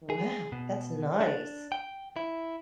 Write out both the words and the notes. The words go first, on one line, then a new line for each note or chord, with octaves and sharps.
Wow, that's nice.
G#4
B2
D4
G5
E4